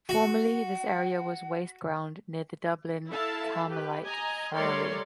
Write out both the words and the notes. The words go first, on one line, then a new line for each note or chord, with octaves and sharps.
Formerly this area was waste ground near the Dublin Carmelite Friary.
F#4 F#5
E4 A4 E5 F5 A5
G4 B4
D#5 G#5 A#5
G3 A3 A#4 C#5 D5 C6